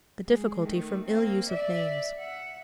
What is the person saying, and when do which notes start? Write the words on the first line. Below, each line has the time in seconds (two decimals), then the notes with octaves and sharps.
The Difficulty from ill Use of Names.
0.26 G#3
0.62 D#3 A3
1.06 A#3 C4
1.48 D5 E5
2.19 E5 F#5